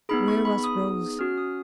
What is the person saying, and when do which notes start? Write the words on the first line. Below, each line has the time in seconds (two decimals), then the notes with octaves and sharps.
Where was Rose?
0.09 B3 D#4 G#4 B5
0.28 C#6
0.45 B5
0.64 D#6
1.19 C#4 F#4 F6
1.38 D#6